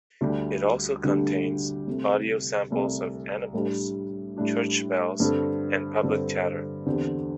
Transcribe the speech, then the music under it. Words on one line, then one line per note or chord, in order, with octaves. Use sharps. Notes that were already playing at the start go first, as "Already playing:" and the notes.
It also contains audio samples of animals, church bells, and public chatter.
D2 D3 G3 D4 G4
D2 D3 G3 D4 G4
C2 C3 A3
C2 C3 A3
A2 G3 D4 G4
A2 G3 D4 G4
G2 D3 C4 A4
G2 D3 C4 A4
E2 D3 C4 G4